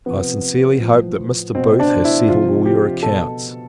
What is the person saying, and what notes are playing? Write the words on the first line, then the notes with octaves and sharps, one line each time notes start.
I sincerely hope, that Mr. Booth has settled all your accounts.
C3 F3 B3
A2 F3
B2 C4
D4
E4
C3 F3 F4
G4
B2 A4